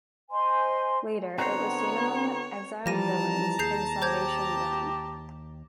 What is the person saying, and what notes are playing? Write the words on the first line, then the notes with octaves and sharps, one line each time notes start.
Later, it was seen among the exiled villains in Salvation Run.
C5 D#5 G#5 C6
D3 B3 C4 F#4 C5 C#5 A#5
E3 F3 G3 G4 A5 A#5 A#6 D#7
D#2 G#4 G6 C7
G4 C5 G6 G#6